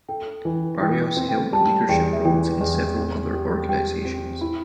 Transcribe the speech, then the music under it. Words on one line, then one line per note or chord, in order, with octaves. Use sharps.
Barrios held leadership roles in several other organizations.
A4 G5
E3
E3 G5
C4
G5
G3 A5
E2 G5
E5
E3 G5
E2
C4
G4
G4 G5
C4
E4